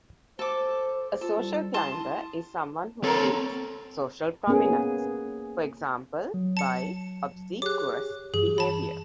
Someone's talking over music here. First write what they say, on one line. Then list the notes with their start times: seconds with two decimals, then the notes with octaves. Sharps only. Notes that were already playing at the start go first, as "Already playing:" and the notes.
A social climber is someone who seeks social prominence, for example by obsequious behavior.
0.39 A4 C5 D6
1.21 F4 A4
1.39 G3
1.74 E4 A5 C6 D#6
3.04 C4 A4 A#4 C#5
4.47 A#3 B3 C#4 G#4
6.34 F#3
6.57 A5 C#7
7.62 G4 G#4 C#5 D6 F#6
8.34 G2 E3 G#4
8.58 A5 B5